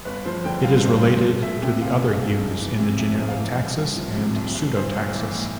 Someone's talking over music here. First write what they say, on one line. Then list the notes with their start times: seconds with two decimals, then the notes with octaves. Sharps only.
It is related to the other yews in the genera "Taxus" and "Pseudotaxus".
0.05 G1 B4
0.25 F3 C5
0.45 D3 G5
0.64 G2 F5
0.84 G1 C5
1.03 F3 C5
1.23 E1
1.42 E1 E5
1.62 C3 G5
1.81 D2 F5
2.02 E1
2.20 E1
2.40 F1
2.60 E3
2.79 C3
2.99 F2 E5
3.18 F1
3.28 F5
3.38 E3
3.58 C2
3.77 C2
3.96 F3
4.16 C3
4.36 C2
4.55 C2
4.75 B1 C5
4.95 B1
5.14 E3
5.33 A2